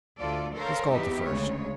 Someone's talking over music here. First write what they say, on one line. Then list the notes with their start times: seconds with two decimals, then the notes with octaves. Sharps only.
Let's call it the first.
0.20 D2 F4 A4 D5
0.56 A4 A#4 C5 C#5 F5
0.91 E2 C#3 B3 D#4 G4 E5
1.26 D2 C#3 G#3 C#5